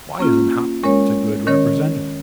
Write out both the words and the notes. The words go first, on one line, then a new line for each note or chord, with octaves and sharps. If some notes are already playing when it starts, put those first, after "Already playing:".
"Why isn't Hopkins a good Representative?"
A#3 C#4 F4
G#3 C#4 A#4 C#5
D#3 C#4 A#4 C#5